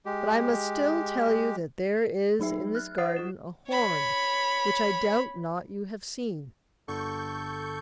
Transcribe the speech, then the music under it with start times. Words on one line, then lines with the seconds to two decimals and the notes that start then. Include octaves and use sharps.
But I must still tell you that there is in this garden a horn which I doubt not you have seen.
0.06 G#3 G4
2.40 F#3 D#4 G#4 E5
2.75 F6 F#6
2.98 C5 D#5 F#5 D#6 A6 C7
3.16 F4 E7
3.67 C#5 B5
6.88 G1 D3 A4 C#6 G6